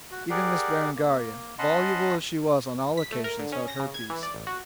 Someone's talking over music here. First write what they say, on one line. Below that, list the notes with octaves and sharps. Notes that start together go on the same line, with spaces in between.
Even Miss Berengaria, voluble as she was on all occasions, held her peace.
F#4
G4 G#4 A#4 D5 F#5
A#3
C#4 D#5 F#5 A5 B5 C6
B6
A3
A#4
D3
C#4
A#6
C#3
G#6
E3
D5
A1
F#4